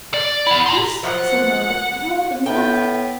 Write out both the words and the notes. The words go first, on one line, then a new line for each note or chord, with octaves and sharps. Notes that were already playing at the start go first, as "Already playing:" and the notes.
'Yes,' said Margaret, 'more than once.
D5
E4 F#5
A#5 C6
F3 F#3 F#5
A2 B3 G5